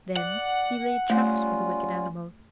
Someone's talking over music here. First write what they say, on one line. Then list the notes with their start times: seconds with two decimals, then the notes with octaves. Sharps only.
Then he laid traps for the wicked animal.
0.16 D5 F#5
1.10 G3 A3 C#4 F4